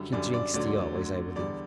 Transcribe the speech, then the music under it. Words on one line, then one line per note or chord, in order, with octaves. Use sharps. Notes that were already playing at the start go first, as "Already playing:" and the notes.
She drinks tea always, I believe.
Already playing: F#2 D3 G3
F#2 D3 G3 D5
D5
D2 D3 F#3 D5
D2 D3 F#3
E2 D3 G3 D5